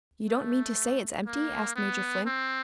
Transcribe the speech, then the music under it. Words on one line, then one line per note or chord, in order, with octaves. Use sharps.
"You don't mean to say it's empty?" asked Major Flint.
A3
A#3
B3
C4